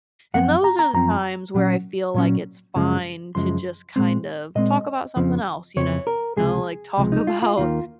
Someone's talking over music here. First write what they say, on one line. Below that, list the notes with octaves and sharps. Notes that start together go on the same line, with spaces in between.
and those are the times where I feel like it's fine to just kind of talk about something else, you know. Like, talk about
F#2 F3 C4 F#5
A#5
A#5
F#2 F3 C4 A#5
A#2 F#3 C#4
A#2 F#3 C#4
F#2 C#3 F3 G#3
F#2 C#3 F3 G#3 C6
A#2 G#3 C4
A#2 G#3 C4 D#5
F2 C#3 F3 C4
F2 C#3 F3 C4 C#5
A#4
C#2 C3 F3 G#3 G#4
C#2 C3 F3 G#3
D#4
F4
F4
D#2 D#3 A#3 F4